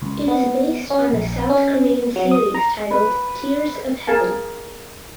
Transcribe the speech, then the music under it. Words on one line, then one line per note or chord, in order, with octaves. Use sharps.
It is based on the South Korean series titled "Tears of Heaven".
C#2
B3
C#4
A#1
C#4
F#3
D#6
A#5
B4
G#4 A#4 F5 G#5 A5